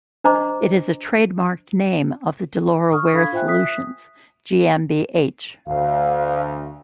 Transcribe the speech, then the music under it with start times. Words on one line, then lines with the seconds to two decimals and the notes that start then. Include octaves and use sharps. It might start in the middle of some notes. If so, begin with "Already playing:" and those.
It is a trademarked name of the Deloro Wear Solutions GmbH.
0.24 D4 C5 D#5 A#5 D6
2.91 C#6 D#6 F6
3.13 D4 A4 F5 B5 G#6 B6
3.32 F4 C5 E5 G5 G#5 F#6
3.47 E5 D#6 F#6 B6
5.67 D2 F5